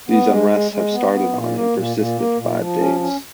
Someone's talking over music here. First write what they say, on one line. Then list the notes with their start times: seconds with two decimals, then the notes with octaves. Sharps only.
These unrests have started on and persisted five days.
0.09 B3
0.30 G#3
0.50 G#3
0.71 G#3
0.92 B3
1.13 B3
1.34 A#2
1.54 A#3
1.76 A#2
1.97 A#2
2.17 A#3
2.37 A#2
2.59 F3
2.79 C#4
3.00 C#4